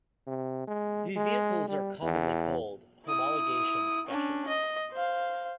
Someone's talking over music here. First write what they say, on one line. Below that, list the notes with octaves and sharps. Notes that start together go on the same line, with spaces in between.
These vehicles are commonly called "homologation specials".
C3
G#3
G#3
G3
E2
E4 D#6
C#4 D4
D#5
C5 F5